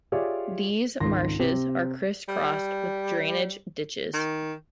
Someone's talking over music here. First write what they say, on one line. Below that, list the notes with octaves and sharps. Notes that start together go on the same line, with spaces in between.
These marshes are criss-crossed with drainage ditches.
F4 G4 G#4 C#5 D5 E5
G#1 C#2 D#3 C6 A#6
C3 C4 G4
G3
D#3